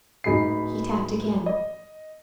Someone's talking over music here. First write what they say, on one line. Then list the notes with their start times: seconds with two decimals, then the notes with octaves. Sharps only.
He tapped again.
0.24 D1 D#4 G#4 B5 C7
1.46 D#5